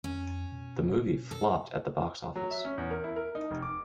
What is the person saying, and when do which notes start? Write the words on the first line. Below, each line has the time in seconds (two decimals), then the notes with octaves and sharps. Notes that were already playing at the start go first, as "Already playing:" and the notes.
The movie flopped at the box office.
0.04 F2 C#4
0.52 B2
1.31 A4
2.36 F#3
2.51 E5
2.65 C#4
2.78 E2
2.91 A#4
3.04 E4
3.16 A#4
3.35 D#4
3.51 F1
3.62 D6